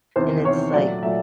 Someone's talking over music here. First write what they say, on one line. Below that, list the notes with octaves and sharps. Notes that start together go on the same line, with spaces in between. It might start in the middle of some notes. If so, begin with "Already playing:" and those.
and it's like,
E2 C3 D#3 C5
E2 C3 D#3 C#5
A#2 F#3 A3 D5
A#2 F#3 A3 E5